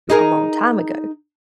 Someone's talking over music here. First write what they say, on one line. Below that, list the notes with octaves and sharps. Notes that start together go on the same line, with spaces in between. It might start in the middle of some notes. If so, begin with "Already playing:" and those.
a long time ago,
D#4 G#4 A#4